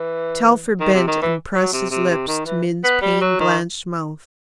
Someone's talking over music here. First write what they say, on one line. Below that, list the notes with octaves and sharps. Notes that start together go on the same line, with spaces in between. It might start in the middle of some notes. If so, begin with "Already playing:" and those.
Telford bent and pressed his lips to Min's pain-blanched mouth.
Already playing: E3
D#3
C3
D#3
E3
F#3
C3
C3
C3
D#3
E3
B3
G3
F#3
D#3